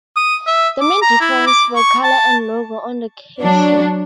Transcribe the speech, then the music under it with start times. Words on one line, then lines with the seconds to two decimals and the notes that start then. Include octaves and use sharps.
The main difference were color and logo on the casing.
0.16 D#6
0.46 E5
0.81 D6
1.02 A#5
1.21 E4
1.46 D6
1.75 C#6
2.03 A5
3.42 F#3 D4